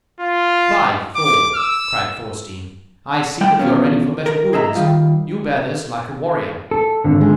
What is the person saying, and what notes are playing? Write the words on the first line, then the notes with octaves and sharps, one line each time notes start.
"By Thor!" cried Thorstein, "I see that you are ready for better wounds. You bear this like a warrior."
F4
D6
E6
G3 G#3 G5
E2 G#2 B2 F3 C#4
A#4
G#4 D#5 E5 A#5
D#3 E3 G3 F4
A4
G#1 D3
G#3